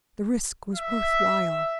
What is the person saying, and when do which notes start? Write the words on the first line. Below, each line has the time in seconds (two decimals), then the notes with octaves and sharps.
The risk was worth while.
0.75 E5